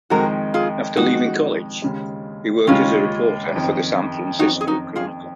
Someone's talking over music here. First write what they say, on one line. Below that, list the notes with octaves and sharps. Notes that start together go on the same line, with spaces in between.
After leaving college, he worked as a reporter for the "San Francisco Chronicle".
F2 D#3 G#3 F#4 A#4
F4 G#4
F2 D#3 G#3 D#4 F#4
D#2 C#3 G#3
D#2 C#3 G#3 C#4 F4
F#1 F2 D#3
F#1 F2 D#3 D#4 F#4
G#4
D#4 F#4
F4 G#4